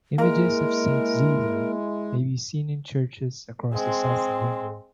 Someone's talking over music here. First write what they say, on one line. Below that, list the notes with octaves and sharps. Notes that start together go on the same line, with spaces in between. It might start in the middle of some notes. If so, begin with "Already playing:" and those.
Images of Saint Zita may be seen in churches across the south of England.
G#3 A#3 E4 A#4
G#3 C4